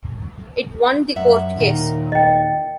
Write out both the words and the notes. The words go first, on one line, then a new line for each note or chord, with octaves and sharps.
It won the court case.
F#2 E5 F#5
D#2 A#2 D#3
D#5 G5